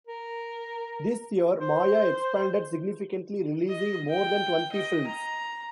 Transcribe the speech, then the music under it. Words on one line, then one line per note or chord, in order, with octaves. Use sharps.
This year, Maya expanded significantly releasing more than twenty films.
A#4
C5
D#5
G5
D#5
A#5